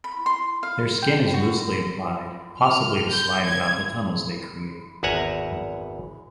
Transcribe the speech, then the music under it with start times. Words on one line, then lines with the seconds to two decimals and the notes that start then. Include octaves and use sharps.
Their skin is loosely applied, possibly to slide about the tunnels they create.
0.04 B5
0.26 C6
0.63 F5
1.02 G5
1.34 F#4
2.60 F6
3.09 G6
3.43 G#6
5.03 G#1 E2 E5 F#5 G#5 A#5